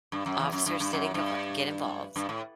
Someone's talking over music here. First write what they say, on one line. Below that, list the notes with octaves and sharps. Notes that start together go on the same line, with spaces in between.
officers didn't get vo get involved,
G2
F#2
E2
F#2
G2
G2
F#2
G2
G2
A2